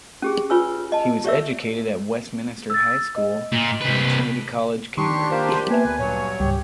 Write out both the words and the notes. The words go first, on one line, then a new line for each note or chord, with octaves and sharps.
He was educated at Westminster School and Trinity College, Cambridge.
C#4 G4 G#4
F4 B4 C#5 G#5 E6
D#5 A5
G4 C#5 D5 E5 E6
E6 A6
D#5
A#2
C2 B4
D#3 D4 G4 C6 C#6
A#3 F4 C5
A#3 B3 B4 E5 G#5
D2 B4
G2 A#2 F#3 C#5
C#2 G#2 G3 G4